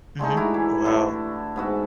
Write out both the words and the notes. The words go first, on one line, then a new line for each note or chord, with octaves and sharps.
Mhm, wow.
D3 G#3 A3 D#4
E4 F#4 G4 A#5
E3
D3 A3 E4
G#2 B3 F#4 E5